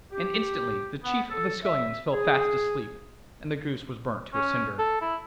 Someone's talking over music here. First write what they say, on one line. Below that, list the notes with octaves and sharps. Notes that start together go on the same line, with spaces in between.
And instantly the chief of the scullions fell fast asleep, and the goose was burnt to a cinder.
G4
B3
A4
E5
G#4
C#4
A4
E4